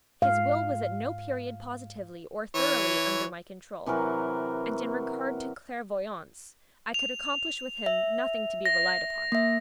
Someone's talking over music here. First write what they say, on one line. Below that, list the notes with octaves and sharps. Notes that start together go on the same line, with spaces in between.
His will was at no period positively, or thoroughly, under my control, and in regard to clairvoyance, I could accomplish with him nothing to be relied upon.
G#2 F5
E3 C#5
C3 E3 F#3 A#4
F7
E5
A#6
A#3 E5